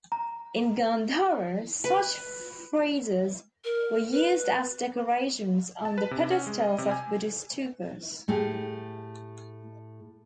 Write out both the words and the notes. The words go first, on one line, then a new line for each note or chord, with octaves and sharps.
In Gandhara, such friezes were used as decorations on the pedestals of Buddhist stupas.
A#5
B4
A#4
B4
A5
B4
C3
C#4
G#3
D#5
C3
G#5
A2 A3 G4 G#4